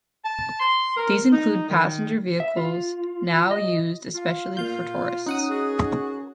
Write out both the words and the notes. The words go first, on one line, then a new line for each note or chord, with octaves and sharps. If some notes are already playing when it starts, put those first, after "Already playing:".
These included passenger vehicles, now used especially for tourists.
A5
C6
A#4
D#4
D#3
E5
F4
D#5
F4
A#2 F4 F5 G6
C#4 D#4 F#5 D#6
F#4 G#4